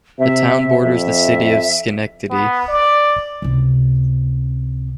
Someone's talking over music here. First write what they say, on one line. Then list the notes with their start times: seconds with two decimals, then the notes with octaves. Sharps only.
The town borders the city of Schenectady.
0.19 C3 E5
0.83 F2 E5
2.30 B3
2.68 D5
3.42 C#2 C3